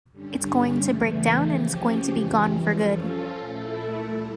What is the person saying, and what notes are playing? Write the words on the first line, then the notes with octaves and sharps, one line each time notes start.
It's going to break down and its going to be gone for good.
G2 D3 G3 C#4
E2 C#3 E3 A3
C#3 F3 C#4 G4
F2 E3 G3 C#4
F3 C#4 F4 A4
A#2 A3 E4 A4
G3 A#3